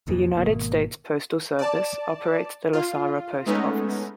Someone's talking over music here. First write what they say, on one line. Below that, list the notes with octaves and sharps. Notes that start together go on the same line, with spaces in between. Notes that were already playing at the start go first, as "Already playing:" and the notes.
The United States Postal Service operates the Lasara Post Office.
C2 F2 A#2 E3
G#1 G2 B2 A#3
D5 A5
F4
G#3 A3 B3 C#4 D#4